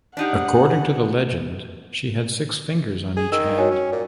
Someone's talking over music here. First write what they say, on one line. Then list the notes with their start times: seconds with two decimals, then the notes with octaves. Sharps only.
According to the legend she had six fingers on each hand.
0.17 D4 D#4 G4 F#5
3.17 G#4
3.32 D#3 E6
3.58 F#4 C#5 G#5
3.71 C#4
3.92 A#2